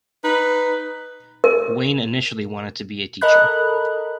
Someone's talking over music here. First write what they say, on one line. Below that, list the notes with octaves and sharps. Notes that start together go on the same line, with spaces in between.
Wane initially wanted to be a teacher.
D#4 B4
A#4
A4 A#4 D#5 B5 F#6